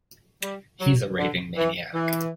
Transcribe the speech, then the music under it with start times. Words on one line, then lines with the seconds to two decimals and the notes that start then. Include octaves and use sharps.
He's a raving maniac.
0.42 G3
0.81 F#3
1.18 D3
1.57 E3
1.94 E3